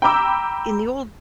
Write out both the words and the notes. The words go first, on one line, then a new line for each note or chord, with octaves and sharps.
in the old,
G5 A#5 B5 D6 E6